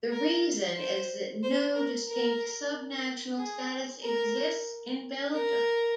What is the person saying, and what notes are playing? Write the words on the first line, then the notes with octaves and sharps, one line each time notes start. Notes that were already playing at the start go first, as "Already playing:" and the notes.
The reason is that no distinct sub-national status exists in Belgium.
A#4
C5
C5
A#4
A#4
G#4
A#4
A#4